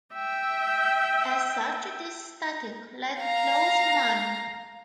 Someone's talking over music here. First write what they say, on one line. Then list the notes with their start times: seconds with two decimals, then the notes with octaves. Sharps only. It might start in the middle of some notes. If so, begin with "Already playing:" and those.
As such it is static, like a closed mind.
0.13 E5 G5
3.19 F5 A#5